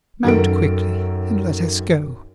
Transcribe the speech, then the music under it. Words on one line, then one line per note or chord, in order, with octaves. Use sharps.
Mount quickly and let us go.
F#2 D#3 F#3 A4 A#4 D7